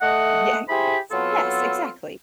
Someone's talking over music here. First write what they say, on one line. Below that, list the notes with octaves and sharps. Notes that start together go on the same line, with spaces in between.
Yeah, yes, yes, exactly,
A3 D#5 F#5
E4 G4 G#4 C5 B5
F#3 B3 C4 F4 A4